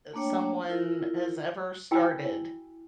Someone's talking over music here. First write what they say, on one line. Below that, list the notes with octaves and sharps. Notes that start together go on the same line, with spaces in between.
uh, someone has ever started.
A3 A#3 D4 C#5 G5
E4 F4 A#4
E4 F#4 G5 G#5 B5 E6